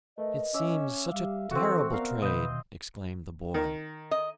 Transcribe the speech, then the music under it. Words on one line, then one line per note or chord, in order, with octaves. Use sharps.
"It seems such a terrible trade!" exclaimed the boy.
A3 A#4 B4 D#5
C#4 E5 D6
G3 F5
E3 C4 F#4 A4
B3 A#4 D5 F5
B2 D#3 B4 D#5 G6
D#3
D#5